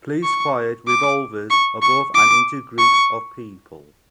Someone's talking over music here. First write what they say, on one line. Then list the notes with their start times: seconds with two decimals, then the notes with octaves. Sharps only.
Police fired revolvers above and into groups of people.
0.24 C#6
0.87 D6
1.50 C#6
1.82 C#6
2.14 D6
2.78 C#6